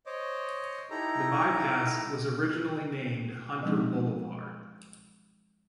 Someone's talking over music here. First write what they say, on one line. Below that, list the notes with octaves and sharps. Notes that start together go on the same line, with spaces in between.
The bypass was originally named Hunter Boulevard.
C5 C#5 D#5 D6
D#4 E4 G4 A4 A#5
F3 F#3 G#3 C4 D4 D#4